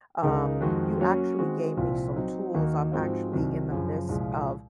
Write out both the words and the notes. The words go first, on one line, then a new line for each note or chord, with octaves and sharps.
Um, y you actually gave me some tools, I'm actually in the midst of
C#2 C#3 G#3 D#4 A#4
F2 D#3 G#3 C4 F#4
F#3 A#3 C#4 F#4 C#5
D#3 G#3 C4 F#4
C2 A#2 F3 C4
F#3 C4 D#4
D#2 D#3 A#3 D#4 F#4
G#2 F3 G#3 C4 F#4
C2 C3 D#3 F#3
F#2 C#3 F3
C2 A#2 F3 G#3